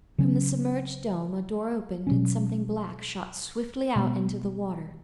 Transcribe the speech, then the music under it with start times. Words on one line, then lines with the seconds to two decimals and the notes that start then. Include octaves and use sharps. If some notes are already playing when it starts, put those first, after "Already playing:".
From the submerged dome a door opened and something black shot swiftly out into the water.
0.18 C#3 F#3 C#4
2.07 B2 F#3 C#4
3.96 B2 G#3 B3